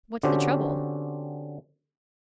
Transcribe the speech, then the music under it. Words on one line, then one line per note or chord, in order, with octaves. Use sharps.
'What's the trouble?
D3 C4 C#4 F#4 G4